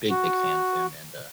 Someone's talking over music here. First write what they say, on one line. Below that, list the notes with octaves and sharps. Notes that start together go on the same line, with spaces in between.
big big fan of him and, uh,
F#4